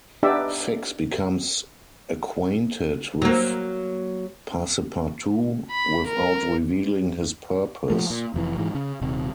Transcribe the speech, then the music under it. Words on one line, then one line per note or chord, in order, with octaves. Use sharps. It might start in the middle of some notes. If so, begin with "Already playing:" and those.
Fix becomes acquainted with Passepartout without revealing his purpose.
B3 D4 D#4 G4 D5 E5
F#3 A#3
B5
A#4
F3 A3
A#2
F1 F2 C3 E3
G#2 E3 G#3
C#3
D#1 C3